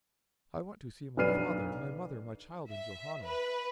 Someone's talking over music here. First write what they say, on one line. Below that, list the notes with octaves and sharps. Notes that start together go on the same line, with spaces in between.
I want to see my father, my mother, my child, in Johanna.
B1 D4 B4 F6 C7 D#7
E5
B4